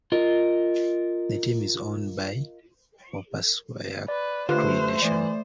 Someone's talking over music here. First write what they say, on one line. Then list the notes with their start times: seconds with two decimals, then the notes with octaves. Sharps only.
The team is owned by the Opaskwayak Cree Nation.
0.12 F4 A#4 D#5
4.08 B4 D5
4.49 D3 A3 F4 G4 B4 C5 F#6
5.02 E3 A3 D5